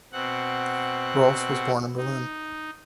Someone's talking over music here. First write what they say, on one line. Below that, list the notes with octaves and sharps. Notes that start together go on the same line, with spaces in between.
Rohlfs was born in Berlin.
B2 C4 F#5
D#4